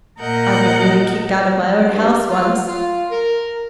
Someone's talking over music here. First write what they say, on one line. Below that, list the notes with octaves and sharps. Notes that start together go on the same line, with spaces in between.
I've been nearly kicked out of my own house once.
A#2 A#4 D#5 F#5 G6
G2
F4
F4
A#4